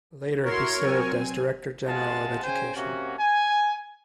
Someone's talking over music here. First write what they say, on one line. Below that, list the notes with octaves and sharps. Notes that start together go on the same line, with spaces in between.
Later he served as Director General of Education.
E4 F#4 A#4 C#5 C6
F#3 C4 G#5
C3 G#3 F4 F#5 A5
C#3 C5 G5 G#5
C3 A#3 C#4 F#4
G#5